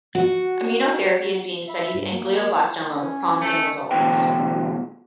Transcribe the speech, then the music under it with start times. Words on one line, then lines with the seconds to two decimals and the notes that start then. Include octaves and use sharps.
Immunotherapy is being studied in glioblastoma with promising results.
0.15 F#4
1.67 E5 B5
1.94 G2
2.11 A#3
2.96 C#4
3.41 A3
3.91 D2 B2 E3 G5